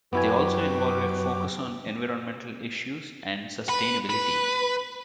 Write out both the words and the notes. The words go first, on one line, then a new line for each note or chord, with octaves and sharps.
They also involve a focus on environmental issues and sustainability.
F#2 B3 E4 F#4 G4 B4 G#5 D6
B4
B4